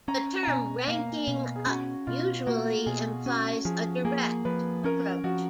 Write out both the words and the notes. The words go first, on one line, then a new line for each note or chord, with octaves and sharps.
The term "ranking up" usually implies a direct approach.
C#4 A#5
A#5
B2 G#5
A#3 F5
B2
G#4
C#4 F#4
B2 F4
A#3 F#4
B2 G#4
C#4 F#4
F3 G#4
A#3 G#4
F3 B4
C#4 A#4
F3 F#4